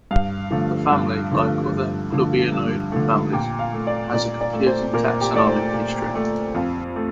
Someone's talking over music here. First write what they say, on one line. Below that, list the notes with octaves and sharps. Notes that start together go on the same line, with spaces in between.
The family, like other "clubionoid" families, has a confusing taxonomic history.
G2 F5
D3 F3 A3
G2
D3 F3 A3
G2
D3 F3 A3
G2
D3 F3 A3
A#2 G5
F5
A3
D5
A#2 D5
D5
A3
C5
A#2 A#4
G4
A3 D5
C5
A#2
A3
F2 F5
A3